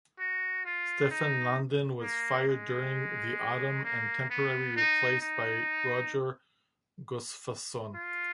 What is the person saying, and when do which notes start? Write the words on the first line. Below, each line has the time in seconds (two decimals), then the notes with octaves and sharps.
Stefan Lundin was fired during the autumn and temporary replaced by Roger Gustafsson.
0.19 F#4
0.65 F4
1.11 D#4
2.02 A#3
2.48 G#3
3.85 A#3
4.30 B3
4.76 D#4
5.21 D#4
7.95 F4